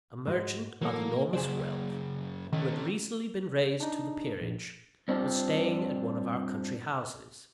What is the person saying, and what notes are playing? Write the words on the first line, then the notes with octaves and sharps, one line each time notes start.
A merchant of enormous wealth, who had recently been raised to the peerage, was staying at one of our country houses.
G#2 G#3 F#4
E3 F#3 A#3 A4
F#2 C#3 G#4 C5 D5
D#3 A3 C#4
D4 D#4
A#1
G2 C4 D4 D#4 F4 G4